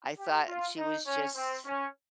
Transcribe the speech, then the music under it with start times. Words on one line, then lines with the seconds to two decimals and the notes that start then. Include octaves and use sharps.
I thought she was just
0.18 G4
0.47 F4
0.77 D#4
1.06 C#4
1.35 C4
1.65 C#4